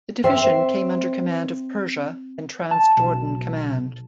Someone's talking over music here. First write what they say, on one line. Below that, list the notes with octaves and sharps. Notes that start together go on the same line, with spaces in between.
The division came under command of Persia and Transjordan Command.
C4 E5
A5
B1